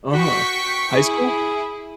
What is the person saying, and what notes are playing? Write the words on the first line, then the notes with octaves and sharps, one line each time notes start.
Uh-huh. High school?
F#4 G5 C#6 B6
E4 G#4